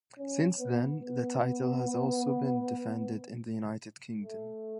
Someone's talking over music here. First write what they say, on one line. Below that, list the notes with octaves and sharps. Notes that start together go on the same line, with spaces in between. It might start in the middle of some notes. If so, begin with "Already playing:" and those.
Since then, the title has also been defended in the United Kingdom.
C#4
B3
B3
A3